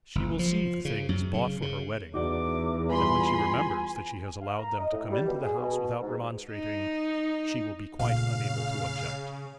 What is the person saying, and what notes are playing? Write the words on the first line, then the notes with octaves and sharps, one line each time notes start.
She will see the things bought for her wedding, and when she remembers that she has allowed them to come into the house without remonstrating, she will be quite unable to object.
F#1
F3
C#3
F#2
C#3
C#3
E2 D#4 F#4 D5 D6
G3 F4 B4 G#5 B5 C6
F5
A#5
D#5
A2
G3
B2
G#4
B2
G#2
D#4
A#2 C#3 A3 F5